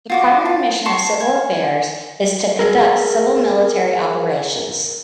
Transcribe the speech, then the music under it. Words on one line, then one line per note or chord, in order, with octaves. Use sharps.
The primary mission of Civil Affairs is to conduct civil-military operations.
F4 F#4 D6
A5
A5 C6 C#6
G#5
G#4 A#4